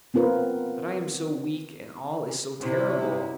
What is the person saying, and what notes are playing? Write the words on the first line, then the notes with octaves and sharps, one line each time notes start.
But I am so weak, and all is so terrible.
B3 C4 F4 A#4 B4
C3 C#4 E4 C5
B2 D#4 A#5